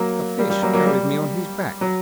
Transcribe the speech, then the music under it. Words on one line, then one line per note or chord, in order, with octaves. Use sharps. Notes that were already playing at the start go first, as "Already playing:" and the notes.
'A fish carried me on his back.'
Already playing: F#3 A#3
G3
G3
F#3 A#3
F#3 A#3
G3
F#3